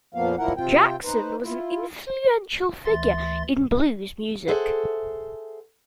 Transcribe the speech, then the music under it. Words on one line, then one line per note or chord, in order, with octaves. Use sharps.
Jackson was an influential figure in blues music.
F2 A#2 F3 A#3 B3 F5
A#2 F3 A#3 E4 A#4 F#5
C3 C4 F4 G5
D#4 B4 C5
E4 F4
D2 E3 E5 C6 A6
G#4 A4 C5 E5 F#5